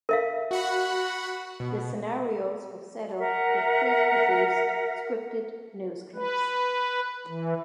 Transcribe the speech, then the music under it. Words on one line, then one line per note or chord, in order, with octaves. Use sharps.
The scenarios were set up with pre-produced scripted news clips.
A#4 E5 F5
F#4 F#5 B5
B2
A#4 E5 F#5
B4
E3